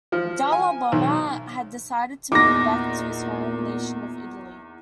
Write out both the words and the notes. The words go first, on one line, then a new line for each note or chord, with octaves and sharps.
Dalla Bona had decided to move back to his home nation of Italy.
F3
G#5
B1
E2 A#2 D#4 D6 A#6